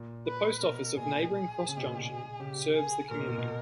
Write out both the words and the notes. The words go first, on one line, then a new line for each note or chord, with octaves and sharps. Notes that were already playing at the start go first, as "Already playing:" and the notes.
The post office of neighboring Cross Junction serves the community.
Already playing: A#2
B4
B2 A#4
A#2 G#4
G#4
C#3
B2
A#2
B2
G#4
C#3 G4
G#4
A#2 A#4
B2
A#2
B2